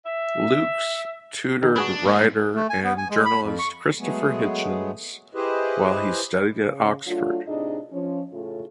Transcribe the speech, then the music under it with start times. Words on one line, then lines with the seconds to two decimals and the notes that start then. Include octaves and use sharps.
Lukes tutored writer and journalist Christopher Hitchens while he studied at Oxford.
0.06 E5
1.63 D#3
1.76 D4 F#4 G#4 B4
2.05 G#2 A#3
2.55 A3
2.70 G#5
2.84 B3
2.98 G#5
3.10 G#3
3.25 B5
3.43 F2
3.59 C#6
3.99 F#3 G#3 A3 B3 G#4
5.34 E4 G4 G#4 B4 C5 D#5
6.63 C#3
7.07 F#3 A3 D4 F4
7.47 A2 C3 D4 D#4 G#4 D#5
7.92 F3 C#4
8.32 A2 C#3 A3 F4